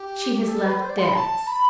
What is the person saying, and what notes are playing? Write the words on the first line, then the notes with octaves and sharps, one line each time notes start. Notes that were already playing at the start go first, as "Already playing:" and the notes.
She has left debts.
Already playing: G4
A4
B4
C5
D5
C6
B5
A5
B5